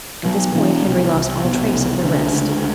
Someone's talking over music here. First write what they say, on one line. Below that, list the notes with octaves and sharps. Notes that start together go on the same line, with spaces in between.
At this point Henry lost all trace of the rest.
B2 F#3
B2 E3
C2
C2
B2
C2
C#2 D3
C#2